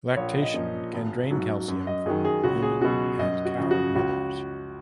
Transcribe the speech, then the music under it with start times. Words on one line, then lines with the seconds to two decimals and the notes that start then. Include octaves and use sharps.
Lactation can drain calcium from human and cow mothers.
0.16 A#1 C#5
0.42 D#5
0.54 A#2 F3
0.93 G#1
1.31 G#2 F#3
1.68 F#2
1.87 D#5
2.06 D#3 F#3 G#4
2.25 G#4
2.44 C#2 F#4
2.63 G#4
2.81 B2 F#3 F#4
3.19 F#2 D#5
3.45 F#4
3.58 C#3 F3
3.71 F#4
3.96 C#2 F#4